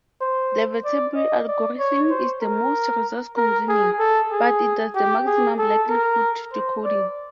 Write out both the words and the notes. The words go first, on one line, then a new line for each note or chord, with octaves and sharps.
The Viterbi algorithm is the most resource-consuming, but it does the maximum likelihood decoding.
C5
D5
D#5
D5
C#5
C5
A#4
A#4
G#4
A4
G#4
G4
G#4
A4
A#4
C5
D5